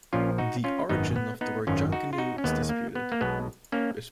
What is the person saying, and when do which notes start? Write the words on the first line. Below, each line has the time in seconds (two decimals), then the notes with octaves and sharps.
The origin of the word "junkanoo" is disputed.
0.13 A#1 A#2 F3 C#4 F4
0.38 D#4 F#4
0.64 C#4 F4
0.89 G#1 F#2 D#3 B3 D#4
1.16 B3
1.41 B3 D#4
1.67 G#1 F#2 D#3 C#4 F4
1.92 D#4 F#4
2.13 F4
2.18 D#4 F#4
2.38 C#4
2.44 D#2 D#3 G#3 B3
2.69 A#3
2.95 B3
3.12 A#3
3.21 B1 B2 G#3 B3
3.72 A#3 C#4